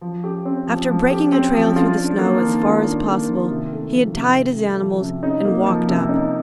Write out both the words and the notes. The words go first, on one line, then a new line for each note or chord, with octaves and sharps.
After breaking a trail through the snow as far as possible he had tied his animals and walked up.
F3
G4
C4
F3
F3
G4
C4
F3
F4
D4
A#3
D#3
F4
D4
A#3
D#3
C3
A3
F3
C3
C3
A3
F3
C3
D#4
A#3
F3
C3
D#4